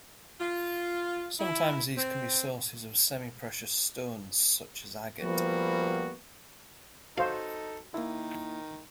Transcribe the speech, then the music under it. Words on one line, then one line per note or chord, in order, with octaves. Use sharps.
Sometimes these can be sources of semi-precious stones such as agate.
F4
E4
C4
F3 G3 A#3 B3 F#4
D#4 F#4 A4 C5 F5
D#3 A#3 E4